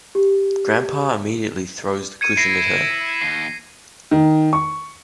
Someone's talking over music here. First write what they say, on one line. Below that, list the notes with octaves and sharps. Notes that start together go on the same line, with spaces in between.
Grandfather immediately throws the cushion at her.
G4
G#6 C#7 D#7
E4 A#6 C7
D#2 C7
D#3
C#6